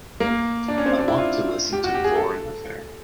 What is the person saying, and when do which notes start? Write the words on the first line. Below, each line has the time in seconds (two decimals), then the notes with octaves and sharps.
I want to listen to Foreign Affair.
0.20 A#3
0.68 D4
0.78 C#4
0.86 C4
0.97 D4
1.08 E4
1.18 F4
1.73 G4
1.84 F#4
1.94 G4
2.04 G#4
2.15 A4